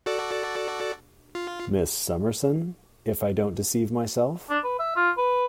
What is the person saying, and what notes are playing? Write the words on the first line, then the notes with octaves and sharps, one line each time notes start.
Miss Summerson, if I don't deceive myself?
F#4 A4 D5
F4
D4
B4
E5
F4
B4